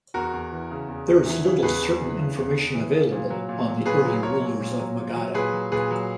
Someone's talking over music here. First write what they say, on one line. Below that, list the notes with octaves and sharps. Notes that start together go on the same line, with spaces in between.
There is little certain information available on the early rulers of Magadha.
E2 F#4 A#4
E2
E3
C#3
E2
E2
E3
C#3
E2 G#4 B4
E2
E3
C#3
E2
E2
E3
C#3
A#2
F#3
A#2
F#3
A#2 G#4 B4
F#3
A#2 A#4 C#5
F#3
A#2
F#3
A#2
F#3
A#2 G#4 B4
F#3
A#2 G#4 B4
F#3